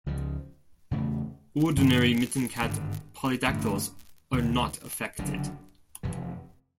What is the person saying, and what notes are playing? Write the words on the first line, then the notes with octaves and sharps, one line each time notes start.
Ordinary mitten cat polydactyls are not affected.
C#2 C#3 F3
E2 C#3 E3 A3
G2 D3 F3 A#3
G#1 G2 D3
A1 G2 D3
D2 C3 E3
F#1 F#2 D3
F1 F2 C3 E3